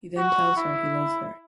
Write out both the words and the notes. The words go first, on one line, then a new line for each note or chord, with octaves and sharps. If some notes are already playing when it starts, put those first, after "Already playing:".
He then tells her he loves her.
F#4
E4